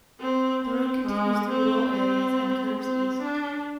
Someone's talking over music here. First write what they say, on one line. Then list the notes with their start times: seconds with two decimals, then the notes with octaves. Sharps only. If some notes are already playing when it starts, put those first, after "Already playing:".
The road continues through rural areas and curves east.
0.20 C4
0.64 C4
1.06 G#3
1.50 C4
1.92 C4
2.79 C4
3.22 D4